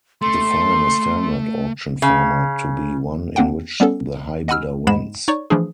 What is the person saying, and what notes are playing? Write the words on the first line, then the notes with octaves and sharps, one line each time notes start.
Define a standard auction format to be one in which the high bidder wins.
A3 C6
C#3
A#3 C4 D4 F#5 G5
G3 B3 C#4 A4
D#5 F#5 G#5 B5 E6 F6
G#2 G#3 B3 B5 E7
D#4 C#5 D5 C#6
E3 F3 A3 D4 G#4